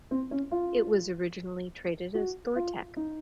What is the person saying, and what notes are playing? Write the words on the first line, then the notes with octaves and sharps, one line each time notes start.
It was originally traded as Thortec.
C4
C#4
F4
F#4
F4
D#4